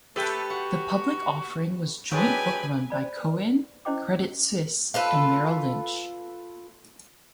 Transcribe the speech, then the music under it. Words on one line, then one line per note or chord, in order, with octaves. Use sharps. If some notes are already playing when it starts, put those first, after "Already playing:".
The public offering was joint bookrun by Cowen, Credit Suisse and Merrill Lynch.
A3 G4 A4 B4
F#4 F#5
F#3 G#3 D4 G4 B4 G#5
C5 D5 B5
B4
C#4 E4 C5 D#5 G5 D6
F4 A4 B4